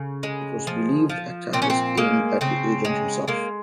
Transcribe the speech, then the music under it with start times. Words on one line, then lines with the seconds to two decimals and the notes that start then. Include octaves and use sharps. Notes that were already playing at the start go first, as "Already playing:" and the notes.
It was believed attack was aimed at the agent himself.
Already playing: C#3
0.23 G#3
0.67 F3
1.09 F3
1.53 A#2 C4
1.62 C#4
1.70 C4
1.97 G#3 A#3
2.41 C#3 C4
2.85 G#3
3.28 G#3 A#3